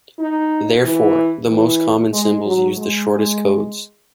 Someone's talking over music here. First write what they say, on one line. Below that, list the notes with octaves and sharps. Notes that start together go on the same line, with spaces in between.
Therefore, the most common symbols use the shortest codes.
D#4
E3
E3
G#3
F#3
G#3